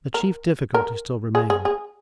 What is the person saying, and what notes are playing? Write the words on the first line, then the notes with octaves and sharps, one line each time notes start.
The chief difficulty still remained.
A#4
A#4
G#4
G#4
G#4